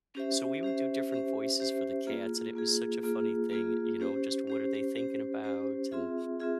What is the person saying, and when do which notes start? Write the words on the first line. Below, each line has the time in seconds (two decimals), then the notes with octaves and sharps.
So, we would do different voices for the cats, and it was such a funny thing, you you know, just what are they thinking about, and
0.15 C#4 G4 C5 E5
0.63 C#4 G4 C5 E5
1.11 C#4 G4 C5 E5
1.59 C#4 G4 C5 E5
2.07 A#3 F4 G#4
2.55 A#3 F4 G#4
3.03 A#3 F4 G#4
3.51 A#3 F4 G#4
4.00 C#4 G4 C5
4.48 C#4 G4 C5
4.96 C#4 G4 C5
5.44 C#4 G4 C5
5.91 C4 F4 G#4 E5
6.40 C4 F4 G#4 E5